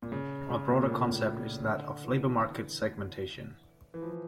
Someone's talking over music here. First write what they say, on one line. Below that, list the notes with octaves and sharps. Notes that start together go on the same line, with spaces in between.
A broader concept is that of labor market segmentation.
A#2
C#3
C#3
A#2
A#2
A2
A#2
A2
A#2
D3
E3
E3
F3
E3